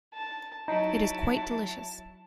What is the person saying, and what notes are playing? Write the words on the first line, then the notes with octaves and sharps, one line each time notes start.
It is quite delicious!
A5
F#3 D#4 E4 A5